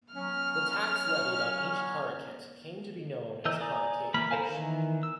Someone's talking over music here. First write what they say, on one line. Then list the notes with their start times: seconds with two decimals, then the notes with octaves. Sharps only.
The tax levied on each carucate came to be known as "carucage".
0.14 F#3 C#4 F6
3.45 E3 A#4 D#5 E6 G6
3.61 D5 G#5 A#5 D#6
4.14 E3 A#3 B5 F6
4.31 A4 A#4 C5 F5 G#5
4.49 D#3 E3
5.03 E6